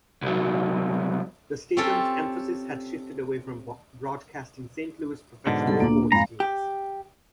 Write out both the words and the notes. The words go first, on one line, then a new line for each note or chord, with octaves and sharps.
The station's emphasis had shifted away from broadcasting Saint Louis professional sports teams.
C2 F#3
C4 C#4 F4 G4 A4
G#2 B2 D3
G3 G4 A4
D2 A#2 A#3 B3 D4
F2 G#2 G#3 F5 A#5 B5
G4